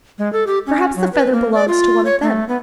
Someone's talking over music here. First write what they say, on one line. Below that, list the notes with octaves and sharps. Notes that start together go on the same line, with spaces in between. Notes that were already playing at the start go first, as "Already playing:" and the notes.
Perhaps the feather belongs to one of them.'
G#3
A4
G4
C#4
F#3
B4
A#3
D5
F4
C#5
A3
B3